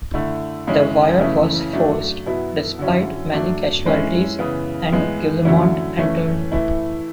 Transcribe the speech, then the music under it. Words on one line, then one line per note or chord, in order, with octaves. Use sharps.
The wire was forced, despite many casualties and Guillemont entered.
D3 A3 E4
C#3 G#3 C#4 E4
C#3 E3 A3 C#4 E4
F#3 A3 D4
B2 F#3 B3 E4
D3 F#3 C#4 E4
F#3 A3 D4
E3 G#3 C#4 E4
C#3 E3 B3
A2 G#3 B3
D3 F#3 A3 C#4 E4
E3 A3 C#4
E3 A3 E4